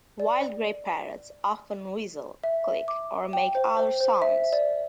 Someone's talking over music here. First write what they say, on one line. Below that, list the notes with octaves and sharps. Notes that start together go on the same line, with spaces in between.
Wild grey parrots often whistle, click, or make other sounds.
D5
E5
D6
G5
C5
C5
C5
E5
D5